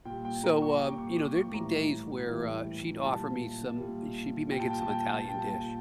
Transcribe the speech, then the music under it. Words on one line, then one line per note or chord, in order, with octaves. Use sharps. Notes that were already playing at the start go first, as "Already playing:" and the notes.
so, um, you know, there'd be days where, uh, she'd offer me some i she'd be making some Italian dish,
A#2 G3 G5
G5
A#5
C#6
A#2 G3 D6
C#6
D6
C#6
A2 E3 G3 A#5
A2 E3 G3
A#2 G3 A5
A#2 G3
A#2 G3 G5
A5
G5
A5
G5
A5
G5
A5
A#2 G3 G5
A5
G5